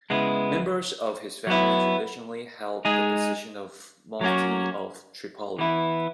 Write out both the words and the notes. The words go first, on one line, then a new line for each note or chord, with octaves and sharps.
Members of his family traditionally held the position of mufti of Tripoli.
C#3 G#3 B3 E4
F#3 B3 E4
G#3 D#4 G#4
F#3 A#3 C#4 F#4
E3 B3 E4